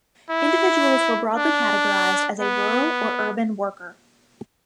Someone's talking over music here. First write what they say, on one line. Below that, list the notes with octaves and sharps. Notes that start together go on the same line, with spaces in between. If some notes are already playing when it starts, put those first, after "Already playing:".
Individuals were broadly categorised as a "rural" or "urban" worker.
E4
D4
B3